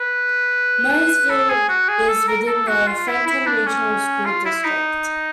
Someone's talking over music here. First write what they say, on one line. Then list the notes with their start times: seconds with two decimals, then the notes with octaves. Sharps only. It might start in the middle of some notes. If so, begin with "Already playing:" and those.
Murrysville is within the Franklin Regional School District.
Already playing: B4
1.30 A4
1.49 G#4
1.69 F#4
1.89 G#4
2.08 A4
2.28 A#4
2.42 A#4
2.47 A4
2.67 F#4
2.87 F4
3.07 E4
3.26 E4
3.46 D4
3.66 C#4
4.25 F4
4.45 E4
4.64 D#4